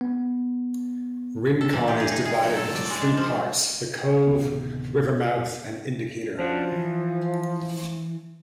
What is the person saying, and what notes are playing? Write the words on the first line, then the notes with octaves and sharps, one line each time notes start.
Rincon is divided into three parts: the Cove, Rivermouth, and Indicator.
B3
A4
E3
G4
G#4
D#4
G#4
F#3
A4
D5
G#3
D4
F3
D1 C3 D#3 B3
F3 C#4 D4 F#4
E3